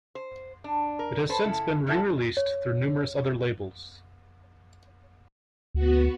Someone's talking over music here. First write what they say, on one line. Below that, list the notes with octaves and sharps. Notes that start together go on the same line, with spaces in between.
It has since been re-released through numerous other labels.
C5
D4
A#4
A4 B4 C5
C#3 E4 A4
B2 D#3 E3 E4 F#4 A4
C#5
D2 B3 F#4